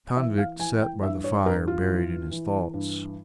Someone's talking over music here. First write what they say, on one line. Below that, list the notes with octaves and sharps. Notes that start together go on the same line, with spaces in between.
The convict sat by the fire, buried in his thoughts.
E3 E5
F5
E3 G#5
G5
G2 E5
C#5
G2 A#4
F4
E3
E3
G2